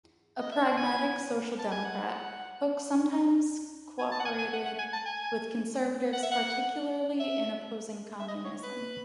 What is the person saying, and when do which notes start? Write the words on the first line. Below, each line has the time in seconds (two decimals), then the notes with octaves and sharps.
A pragmatic social democrat, Hook sometimes cooperated with conservatives, particularly in opposing communism.
0.40 D#5
0.52 E5
0.65 F#5
0.77 G#5
1.59 A5
1.72 G#5
1.85 F#5
3.99 G#5
4.12 A5
4.20 F#5
4.25 G#5
4.38 G#5
4.53 F#5
4.66 F#5
4.79 G#5
4.93 A5
5.06 G#5
6.13 F#5
6.23 E5
6.31 F#5
7.20 E5
8.20 E5
8.28 D#5
8.45 C#5
8.63 B4